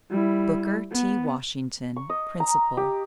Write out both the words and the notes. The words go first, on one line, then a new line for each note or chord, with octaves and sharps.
Booker T. Washington, Principal.
G3 E4
B3
C#6
D#5
A#5
G4